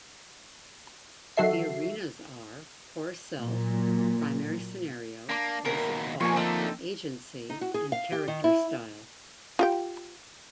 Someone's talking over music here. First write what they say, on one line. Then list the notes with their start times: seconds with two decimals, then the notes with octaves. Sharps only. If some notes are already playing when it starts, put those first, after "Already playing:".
The Arenas are: Core Self, Primary Scenario, Basic Fault, Agency and Character Style.
1.37 D#3 F#3 F#4 A4 E5 C7
3.42 A#2 F#3
5.29 A#3 D4 D6
5.65 D#2 B2 A#4
6.20 F2 C3 F3 A#3 G#5 C#6
6.36 D3 A3 C4 D#4 A4
7.50 D#4
7.61 F#4
7.74 G#4
7.92 F5
8.12 G4
8.28 D#3
8.44 E4
9.59 F4 G4 G5